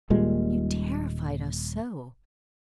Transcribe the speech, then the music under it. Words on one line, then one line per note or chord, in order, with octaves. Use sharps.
You terrified us so.
D#1 A#2 G3 G#3